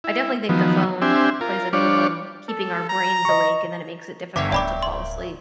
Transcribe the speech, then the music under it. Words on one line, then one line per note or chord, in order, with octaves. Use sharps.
I definitely think the phone plays a big role in keeping our brains awake and then it makes it difficult to fall asleep.
E4
D#3 F3 F#3 B3
C4 D4 G4 E5 G#5
F4 A#4
G3 D4 F4 C#5 D5
A4
A#5
D#5 C#6
G1 A#2 C#5 E5 D6
D1 D5 G5 B5 D6
C6